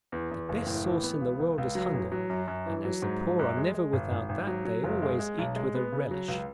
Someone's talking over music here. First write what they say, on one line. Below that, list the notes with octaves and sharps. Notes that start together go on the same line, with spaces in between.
The best sauce in the world is hunger, and as the poor are never without that, they always eat with a relish.
E2
E2
F#1
A2
E3
B3
C#2
C#2
C#2
F#3
A1
F#3
F#2
F#2
E3
F#3
G#2
F#3
F#2
G#3
G#3
G#1
G#1
G#1
F#3
F#3
F#1
G#3
G#3
B1
G#3
B3
C#3
F#3
C#2